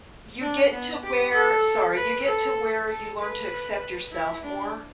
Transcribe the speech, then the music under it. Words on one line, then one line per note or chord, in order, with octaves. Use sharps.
you get to where sorry, you get to where you learn to accept yourself more
D4
B3
G4
A4
B4
A4
A4
B4
E4
D4